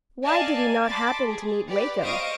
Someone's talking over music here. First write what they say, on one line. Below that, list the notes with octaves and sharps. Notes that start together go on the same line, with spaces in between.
Why did he not happen to meet Wakem?
D5 D#5 F5 G#5 A5
G#5
A5 B5 C6 D6 A6
G#4
G4 B4 D5
C5 D#5 F5 C#6 D#6 D7